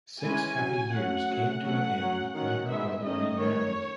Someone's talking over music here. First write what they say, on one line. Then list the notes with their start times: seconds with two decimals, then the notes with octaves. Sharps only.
Six happy years came to an end when her brother remarried.
0.22 E3 G#3 C#4 G#5
0.58 F#3 C#4
0.93 F#3 A3 C#4 F#5
1.28 F#3 A3 C#4
1.63 F#3 A3 C#4 F#5
1.99 F#3 C#4
2.34 D#3 F#3 C#4 F#5
2.69 D#3 G#3 B3 E5
3.04 D#3 A3 C#4 D#5
3.39 D#3 A3 C#4 C#5